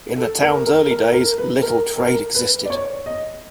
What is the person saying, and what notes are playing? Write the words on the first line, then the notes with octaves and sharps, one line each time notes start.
In the town's early days, little trade existed.
A4
A#4
A#4
A#4
A#4
B4
A#4
A#4
B4
D5
C#5
D#5